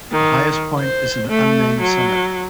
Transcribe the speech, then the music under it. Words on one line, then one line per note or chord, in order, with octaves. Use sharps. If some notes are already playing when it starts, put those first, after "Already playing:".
The highest point is an unnamed summit.
D#3
C5
A3
F#3